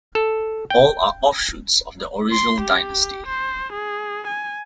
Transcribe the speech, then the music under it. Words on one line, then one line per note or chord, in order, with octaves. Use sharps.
All are offshoots of the original dynasty.
A4
G5
C6
G4
C5
G#4
G#5